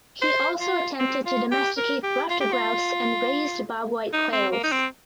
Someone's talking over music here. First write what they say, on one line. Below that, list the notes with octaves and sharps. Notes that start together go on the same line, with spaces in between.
He also attempted to domesticate ruffed grouse and raised bobwhite quails.
C5
F4
C4
F4
G4
A#4
G4
F4
G4
F4
D#4
C4
A#3
D#4
C4